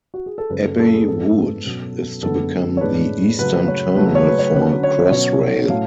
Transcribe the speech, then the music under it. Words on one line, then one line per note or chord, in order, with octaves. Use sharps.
Abbey Wood is to become the eastern terminal for Crossrail.
F#4
G#4
A4
F#2 C#3 G#3 C#4 B4
A4
A4
G#4
G#2 F3 B3 D4 A4
B2 F#3 C#4
F#2 D3 G#3 B3 D4 A4
C#5
A2 G#3 D4 B4
C#3 F#3 A3 B4
C#5
C#3 F#3 A3 C#4 B4
C#5
B4
C#5
D3 F#3 C#4 B4
C#5
B2 F#3 C#4 C#5
A2 F#3 A3 C#4 F5